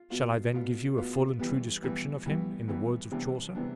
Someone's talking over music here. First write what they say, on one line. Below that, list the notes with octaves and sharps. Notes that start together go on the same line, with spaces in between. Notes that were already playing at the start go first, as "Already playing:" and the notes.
"Shall I then give you a full and true description of him in the words of Chaucer?"
Already playing: F4
B2 B3 F4
B2 B3 F4
B2 B3 F4
G2 E3 G3 B3
G2 E3 G3 B3
G2 E3 G3 B3
G2 E3 G3 B3
C3 E3 G3 B3 D4
C3 E3 G3 B3 D4